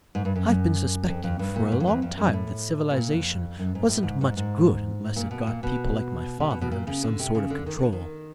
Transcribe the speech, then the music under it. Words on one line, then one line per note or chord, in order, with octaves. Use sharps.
I've been suspecting for a long time that Civilization wasn't much good unless it got people like my father under some sort of control.
G#2
G2
F#2
F#2
F2
F2
G2
A#2
G#2
F2
E2
F2
F#2
A2
B2
A#2
F2
F#2
G#2
A2
G#2
G#2
G#2
A#2
B2
A#2
B2
C3
B2
B2
A#2
C#3
D3
C3
C#3
D3
D#3
D3
D#3